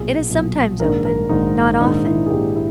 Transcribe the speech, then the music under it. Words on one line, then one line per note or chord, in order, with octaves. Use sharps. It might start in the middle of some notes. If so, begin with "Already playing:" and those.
It is sometimes open--not often.
Already playing: B1 A#2 G#4
B1 A#2
A#1 G#2 D#3 A#4
A#4
A#1 G#2 D#3 D#4
A#1 G#2 D#3 D#4
E4
G#4
A#1 G#2 D#3 G4
E4